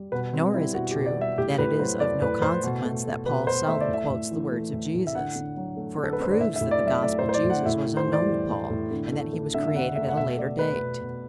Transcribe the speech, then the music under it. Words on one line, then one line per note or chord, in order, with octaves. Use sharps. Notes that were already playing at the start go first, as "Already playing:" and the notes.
Nor is it true that it is of no consequence that "Paul seldom quotes the words of Jesus." For it proves that the Gospel Jesus was unknown to Paul, and that he was created at a later date.
Already playing: G3
B2 B4
G3 C4
G3 E4
B2 F#4
G4
B2
D5
G3 E5
A2 G4
A2 B4
F#3 C5
A3 D5
A2 B4
A2 C5
B2
A3
A3
B2 B4
B2 C5
A3 E5
D5
A2
E5
A2
E3
A3
A2
A2
E5
D3 F#5
D3
F#3
A3
D3
A4
B4
D3 C5
D5
A2 E5
E5
A2
D5
F#3 E5
A3 D5
C5
A2
C5
D5
A2
F#5
A2 E5
A2
C5
E3
D5
G3
A2
A2
D3
A3
A3
D3 E5
E5
D3 F#5
A3 E5
F#5
B2 E5
A3 D5
A3 B4
B2
B2